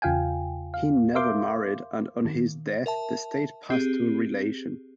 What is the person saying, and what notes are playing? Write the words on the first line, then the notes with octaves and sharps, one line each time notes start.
He never married and on his death the estate passed to a relation.
E2 C#3 F4 F5 G5 G#5
F5
A#4 E5 F5 C6 D6 G6
D#3
A#4 E5 A5
C4 G4 G#4